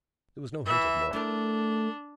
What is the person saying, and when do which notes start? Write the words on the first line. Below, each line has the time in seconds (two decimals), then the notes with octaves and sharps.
There was no hint of more.
0.66 E3 E5
1.13 A3 D4 E4 A#4